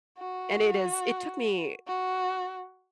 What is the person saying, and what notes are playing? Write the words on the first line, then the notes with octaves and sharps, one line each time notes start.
and it is it took me
F#4
F#4